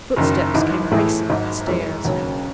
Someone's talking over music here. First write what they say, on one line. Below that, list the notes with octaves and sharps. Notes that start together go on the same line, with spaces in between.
Footsteps came racing up the stairs.
F#1 F#2 D#3
G#1 G#2 E3
A2 E3 A3 E4 G#4
G#1 G#2 F#3
F#2 E3 G#3 C#4
E1 D#2 C#3 F#3 C#4